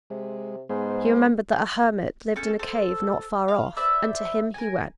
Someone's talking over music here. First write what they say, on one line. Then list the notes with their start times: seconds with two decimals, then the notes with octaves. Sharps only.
He remembered that a hermit lived in a cave not far off, and to him he went.
0.10 C3 G#3
0.69 G#2 G#3 B3 C5
2.36 C#4 A4 C#6 G6
2.59 A4 C5
3.48 F5
3.77 B4 C5 D5 E5
4.54 A#4 G#5